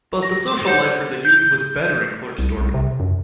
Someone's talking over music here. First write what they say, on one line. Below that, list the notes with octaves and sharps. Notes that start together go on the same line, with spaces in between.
But the social life for the youth was better in Klerksdorp.
A#6
D6
G4 C5 C#5 F#5 G6 C#7
G6
C2
C2
C3
F#2